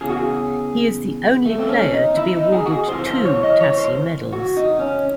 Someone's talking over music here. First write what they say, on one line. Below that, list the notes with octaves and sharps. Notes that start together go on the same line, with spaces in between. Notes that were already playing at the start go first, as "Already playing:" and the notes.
He is the only player to be awarded two Tassie Medals.
E2 C#3 E3 G#4
F#4
G#4
A3
C4
C#4
D#4
E4
D#4
G#4
F#4
G#4
C#2 C3 E3 C5
C5
C#5
D#5
C#5
C5
F#4
D#4
C#4